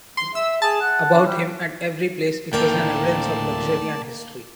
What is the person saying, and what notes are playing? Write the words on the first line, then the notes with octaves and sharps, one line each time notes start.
About him, at every place,it was an evidence of luxury and history.
C6
E5 E6
G#4 A5
F#5
D4
G3
D2 A2 A#3 A#4 D5 G5 A5